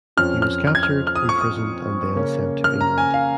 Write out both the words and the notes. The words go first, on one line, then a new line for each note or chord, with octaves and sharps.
He was captured, imprisoned and then sent to England.
F2 F3 C#4 F6
F6
F6
G#6
F6
F6
D#6
C#6
D#6
C#3 A#3 C#4
F6
A#5
G#5
F5